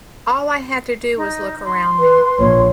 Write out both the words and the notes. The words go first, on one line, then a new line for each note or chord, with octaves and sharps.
All I had to do was look around me.
D#4
C6
B4
A#1 C#5